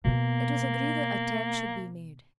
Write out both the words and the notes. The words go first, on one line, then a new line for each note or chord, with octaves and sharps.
It was agreed the attempt should be made.
B2 A#3 B3